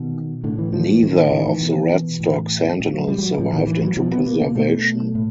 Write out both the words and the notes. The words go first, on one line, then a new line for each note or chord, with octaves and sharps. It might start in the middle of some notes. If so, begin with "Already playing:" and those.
Neither of the Radstock Sentinels survived into preservation.
Already playing: B2 D#3
A2 D3
E3
F3
E3
A2 D#3
D#3
D#3
E3
B2
A2
A#2
F#3
G3
G3
F#3
A2 F3
D#3
E3
F#3
B2 F3
B3
A#3
A#3
B2 A3
A2